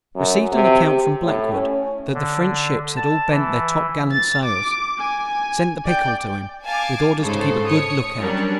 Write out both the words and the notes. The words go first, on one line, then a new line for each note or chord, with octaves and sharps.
Received an account from BLACKWOOD, that the French ships had all bent their top-gallant-sails. Sent the Pickle to him, with orders to keep a good look-out.
F#2
C3
G4
A2
C#4
D3
A5
E3
A6
D6
G#5
D5 G5
F5 G#5 A5 D6
G#2 C#3 A4 C5
C#5 D#6 C#7
F#3 G3 C#4 D4 A#4